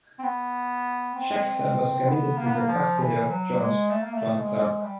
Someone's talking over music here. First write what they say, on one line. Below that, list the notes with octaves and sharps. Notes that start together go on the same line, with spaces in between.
Shaxton was committed to the custody of John Clerk.
C4
B3
C4
B3
A#3
B3
A#3
F3
E3
F#3
G#3
A3
A#3
A3
G#3
G3